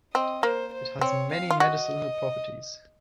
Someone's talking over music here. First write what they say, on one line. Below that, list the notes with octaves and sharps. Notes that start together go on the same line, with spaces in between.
It has many medicinal properties.
C4 D#5
A#3 C5
C5
C4 C#5
F5
F4
F#4 D#5